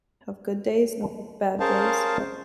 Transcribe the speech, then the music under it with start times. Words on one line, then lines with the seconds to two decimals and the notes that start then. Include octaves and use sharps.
I have good days, and I have bad days, but
1.60 C#4 G#4 A#4 C5 F5 A5